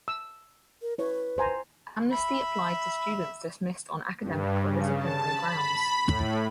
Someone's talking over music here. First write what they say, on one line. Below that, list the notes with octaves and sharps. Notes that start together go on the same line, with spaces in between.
The amnesty applied to students dismissed on academic or disciplinary grounds.
E6
A#4
E4 B4 C#5
C5 G#5 A#5
E5 B5
G2
C#3
A5
B5
A2